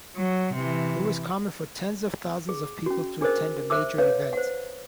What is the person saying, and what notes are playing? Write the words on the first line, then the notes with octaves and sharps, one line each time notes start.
It was common for tens of thousands of people to attend a major event.
F#3
C3 E3
G#4
C#4 F#4
D4 G#4 A#4 C5 D#5
C5 E5 D6 E6
B4 C#5 F5
C5 F#5